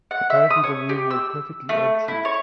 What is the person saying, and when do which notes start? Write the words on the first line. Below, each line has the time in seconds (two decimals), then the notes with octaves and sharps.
Apparently the room was perfectly empty.
0.11 F#5
0.30 E5
0.50 D#6
0.64 C#5
0.89 G4
1.10 E6
1.69 A3
2.08 E4
2.25 C#5